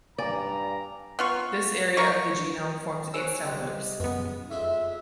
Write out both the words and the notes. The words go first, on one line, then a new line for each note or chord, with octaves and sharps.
This area of the genome forms eight stem loops.
G2 D5 F5 G#5 A#5
B3 F4 C#6
A#4 C#6
F#4 C5 C#5 F5 G#5 E6 F#6
C2 D#5 F5 G5 C6
F#2 G#3 B3 B4
F2 G#3 F4 E5